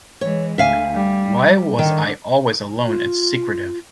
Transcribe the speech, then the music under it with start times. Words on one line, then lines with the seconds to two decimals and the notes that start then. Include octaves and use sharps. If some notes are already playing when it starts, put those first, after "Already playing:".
Why was I always alone and secretive?
0.21 E3 G#3 C#5
0.58 D2 E5 F5 G#5
0.94 G3
1.79 D3 D#3
2.87 F4